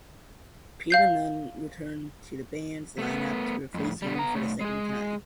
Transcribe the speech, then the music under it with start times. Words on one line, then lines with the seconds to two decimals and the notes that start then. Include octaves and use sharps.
Peter Nunn returned to the band's line-up to replace him for the second time.
0.90 F5 G6 C7
2.98 A3 B3
3.74 F2 A2
4.02 B2 G3
4.15 B3 A#5
4.35 B1 A3
4.61 G#3 G#4